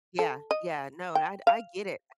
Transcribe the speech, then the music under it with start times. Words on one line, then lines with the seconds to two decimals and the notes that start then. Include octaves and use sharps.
Yeah, yeah, no, I d I get it,
0.19 A4
0.51 D#5
1.15 G5
1.47 F5